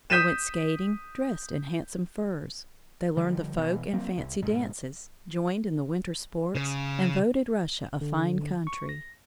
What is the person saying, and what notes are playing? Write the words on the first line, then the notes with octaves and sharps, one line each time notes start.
They went skating, dressed in handsome furs; they learned the folk and fancy dances, joined in the winter sports, and voted Russia a fine country.
D#6 G6 B6 D#7 E7
D3 F3 G3
B2 E3
F#3 A#3 C4
C2
G#2 B2
C#3
D3
C#6
A#6